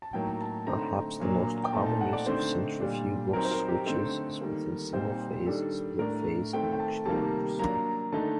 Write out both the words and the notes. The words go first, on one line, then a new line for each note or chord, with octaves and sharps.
Perhaps the most common use of centrifugal switches is within single-phase, split-phase induction motors.
A5
A2 F#3 A#3 D#4 G5
A5
D3 A3 C4 D#4 A#5
A#2 F#3 A#3 D4
G5
A#2 A3 C4 D#4 A5
A5
F#5
D5
D3 A3 C4 D#4 C5
A#2 G3 D4
F#3 C4 D#4 A#4
C5
A#4
G4
D3 A3 C4 D#4 A4
D#3 G3 A#3
A#2 G3 C4 D#4 C5
D#3 G3 D4 A4
A2 A3 D4 A#4
D#3 A3 C4 G5
G5
A5
C3 D#3 G3 A#3 A5
F#3 A#3 D4 A#5
D3 A3 D#4 A5